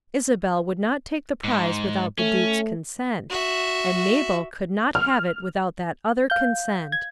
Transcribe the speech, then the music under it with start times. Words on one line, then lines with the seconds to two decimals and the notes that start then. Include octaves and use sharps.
Isabel would not take the prize without the Duke's consent;--and Mabel could not have it without that other consent.
1.44 G#2
2.19 A3 C#4
3.30 F#4 E5
4.95 F6
6.30 F5 G6
6.92 G#6